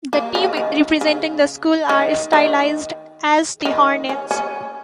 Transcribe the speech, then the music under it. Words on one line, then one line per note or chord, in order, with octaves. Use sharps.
The team representing the school are stylized as the Hornets.
A#3
C#3
D#3
C#3
D#3
D#3
D#3
C#4
C#4